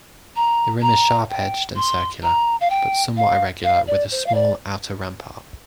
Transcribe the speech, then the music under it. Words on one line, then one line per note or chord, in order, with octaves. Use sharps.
The rim is sharp-edged and circular, but somewhat irregular with a small outer rampart.
A#5
A#5
G5
C6
A#5
F5
G5
F5
F5
D5
C5
F5
D5